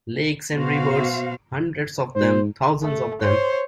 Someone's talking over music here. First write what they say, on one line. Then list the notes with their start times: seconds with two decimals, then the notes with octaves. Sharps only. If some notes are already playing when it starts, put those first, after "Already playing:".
Lakes and rivers, hundreds of them, thousands of them.
0.55 B2 F#4 C5 F5
2.15 G#2 C5
2.83 A3
3.22 C5 C#5